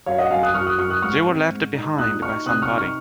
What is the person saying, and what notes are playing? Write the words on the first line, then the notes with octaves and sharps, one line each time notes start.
They were left behind by somebody.
F#2 C#5 F5
D#5 F#5
F#2 F5 G#5
D#6 F#6
F#2 C#6 F6
D#6 F#6
F#2 C#6 F6
D#6 F#6
G#2 C#6 F6
C4
G#2
D#4
A#2 D#6 F#6
D#4 C#6 F6
C3 D#6 F#6
C#6 F6
D#4
C#6 F6